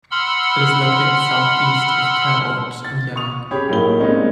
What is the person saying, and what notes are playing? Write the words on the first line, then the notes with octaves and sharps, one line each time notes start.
It is located southeast of Terre Haute, Indiana.
F#5 B5 C6 E6 F6
A6
C#6 D#6 F7
C#4 G4 G#4 C#5 G5 B5
B1 A2 A#3 B5 G7
G3 G#3 A#3 C4 C#4 D#4